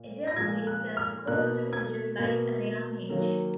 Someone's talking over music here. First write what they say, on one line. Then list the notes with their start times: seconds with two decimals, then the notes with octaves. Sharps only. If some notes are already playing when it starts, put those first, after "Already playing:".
Edel Quinn felt a call to religious life at a young age.
Already playing: A#2
0.27 A#6
0.36 A#2 F3 G#3 G#6
0.67 F#6
0.97 F6
1.27 B2 A#3 F#6
1.73 G#6
2.18 B2 A#3
3.09 D#3 F#3 A#3